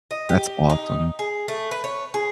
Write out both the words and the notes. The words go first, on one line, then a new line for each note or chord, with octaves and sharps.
That's awesome.
D#5
G4
D#4
G#4
A3
B4
C#5
G#4